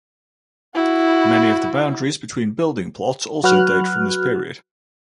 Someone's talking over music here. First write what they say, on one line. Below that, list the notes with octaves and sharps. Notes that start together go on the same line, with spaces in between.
Many of the boundaries between building plots also date from this period.
E4 F#4
F#3 F#4 B4 F6 F#6